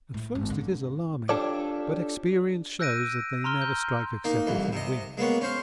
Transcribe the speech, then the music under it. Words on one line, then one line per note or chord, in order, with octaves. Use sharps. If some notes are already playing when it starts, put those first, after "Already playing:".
At first it is alarming, but experience shows that they never strike except with their wings.
A2
G#1
D3
D4 F4 G4 A4 C#5 D5
E6 F#6 G6 A#6 D7 D#7
A#5 C6 F6 G7
G6
A#3 D#4
C2 F2 E3
C3 D#5
G#3 A#3 B3 C#5
C#4 C5 F5